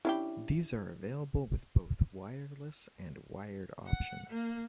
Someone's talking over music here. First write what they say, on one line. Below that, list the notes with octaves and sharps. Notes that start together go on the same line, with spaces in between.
These are available with both wireless and wired options.
C#4 D4 E4 G4
F#5
A#3